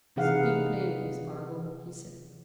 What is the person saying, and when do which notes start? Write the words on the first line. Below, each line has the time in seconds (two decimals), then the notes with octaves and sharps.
"Speak plainly, Spargo!" he said.
0.16 C3 E3 D#4 G#4 F5 F#5